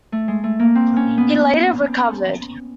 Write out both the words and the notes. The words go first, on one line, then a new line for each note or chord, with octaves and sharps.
He later recovered.
A3
G#3
A3
A#3
C4
C#4
B3